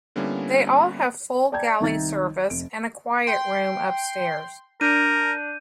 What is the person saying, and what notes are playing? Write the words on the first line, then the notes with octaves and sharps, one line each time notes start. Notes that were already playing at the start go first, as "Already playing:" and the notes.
They all have full galley service and a "quiet room" upstairs.
D3 G3 A#3 B3 C#4 E4
D5 G5 A5 A#5 G6 G#6
C2 D#3 D#4 E5 A6
F1 D7
G5 C6
D4 A#4 G6 D#7